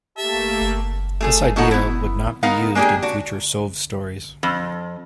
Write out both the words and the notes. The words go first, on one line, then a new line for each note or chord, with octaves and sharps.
This idea would not be used in future Sov stories.
A3 A#3 G4 E5 A5
A3 G#4 A4
B2 F#3 D#4 A4 F#5
B3 E4
B3 D#4 A#4 F5 F#5
G#3 A#3 D4 G4 G#4
D4 F#4
F2